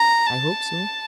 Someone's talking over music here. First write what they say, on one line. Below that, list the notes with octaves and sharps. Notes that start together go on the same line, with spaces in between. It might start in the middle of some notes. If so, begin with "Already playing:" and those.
"I hope so."
Already playing: A#5
A5